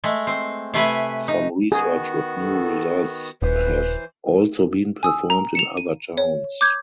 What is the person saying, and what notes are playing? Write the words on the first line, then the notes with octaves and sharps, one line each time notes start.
Some research with new results has also been performed in other towns.
G#3 A3
C4
C3 A3 B4 G#5
D#4
D#3 B3 F#4 G#4
A4
D#1 E3 B4 C5
G#5 D#6 E6
A#5
C#7 E7 F7
D#7
C#5
D6 G6 G#6